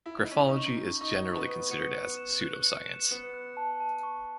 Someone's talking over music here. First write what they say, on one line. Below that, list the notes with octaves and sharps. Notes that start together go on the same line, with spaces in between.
Graphology is generally considered as pseudoscience.
E4
D#4
C#4 B6
D#4
C#6
D#4
C#6
D#4 C#6
C#6
B3
C#6
B3 C#7
F#6
E7
F#6
C#7
E7
B3 C#7
F#6
A5
A5
C#6